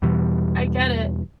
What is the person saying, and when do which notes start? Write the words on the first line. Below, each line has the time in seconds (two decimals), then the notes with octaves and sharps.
I get it.
0.02 E2 B2 E3 G3